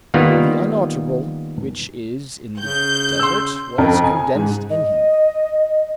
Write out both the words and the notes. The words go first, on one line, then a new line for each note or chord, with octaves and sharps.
The unutterable which is in the desert was condensed in him.
D#3 G3 A#3 B3 F4
C#3 G6
C6 E6
F2
G#5
G#2
D#5